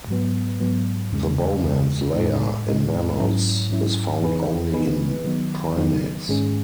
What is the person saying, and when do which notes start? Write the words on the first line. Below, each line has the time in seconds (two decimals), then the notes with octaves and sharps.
The Bowman's layer, in mammals, is found only in primates.
0.08 G#2 F#3 B3
0.60 G#2 F#3 B3
1.12 E2 C#3 G#3
1.64 E2 C#3 G#3
2.14 A2 G#3 D#4
2.66 A2 G#3 D#4
3.18 G#2 F#3 C#4 E4
3.70 G#2 F#3 C#4 E4
4.22 E3 B3 D#4 G#4 B4
4.73 E3 B3 D#4 G#4 B4
5.24 D#3 F#3 B3 D#4
5.76 D#3 F#3 B3 D#4
6.28 G#2 D#3 G#3 C#4 G#4